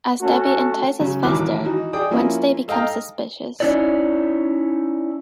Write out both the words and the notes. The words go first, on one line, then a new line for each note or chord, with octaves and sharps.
As Debbie entices Fester, Wednesday becomes suspicious.
A3 C#4 F#4 A4
C#3 F#3 C#4
A1 D#2 E3 F#3 D6 F#6
E3 D#4 F#4
G#4 D5 G5 D#6
F3 A#3 C#4 E4 F4
A4 D#5 F5 G5 A#5
C#4 D#4 E4 C#5 D5